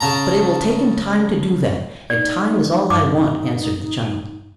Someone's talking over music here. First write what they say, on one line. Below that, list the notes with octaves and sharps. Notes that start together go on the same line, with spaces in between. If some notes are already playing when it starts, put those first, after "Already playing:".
"But it will take him time to do that, and time is all I want," answered the child.
C#3 A5 A#5
D#4 D5
G2 D6